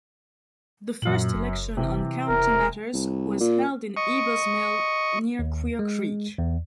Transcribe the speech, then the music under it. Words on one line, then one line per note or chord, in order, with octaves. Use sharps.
The first election on county matters was held in Eby's mill near Queer Creek.
F#2 A#2 F#7
F#1
C3 E3
E1 A#4
C2
A#2
D#5 C#6
D#2
G#3
E2